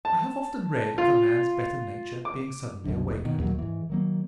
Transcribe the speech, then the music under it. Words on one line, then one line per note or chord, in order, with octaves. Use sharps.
I have often read of a man's better nature being suddenly awakened.
A5
F4
D6
C2 F#2 D3
F1
B2 D#3
D#2 A#2 F#3 A#3
G#2 E3
D#3 F#3 A#3